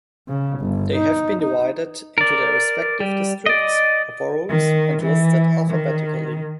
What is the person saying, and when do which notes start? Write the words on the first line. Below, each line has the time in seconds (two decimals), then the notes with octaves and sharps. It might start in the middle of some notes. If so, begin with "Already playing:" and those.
They have been divided into their respective districts or boroughs and listed alphabetically.
0.28 C#3
0.60 G1
0.95 D#4
1.42 D#4
2.18 A#4 D5
3.00 G3
3.46 D5 D#5
4.49 D#3
5.03 E3
5.70 D#3